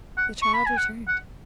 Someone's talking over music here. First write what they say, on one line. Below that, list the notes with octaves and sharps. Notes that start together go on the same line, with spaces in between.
The child returned.
F#5
C#6
B5
G#5
F#5
F#5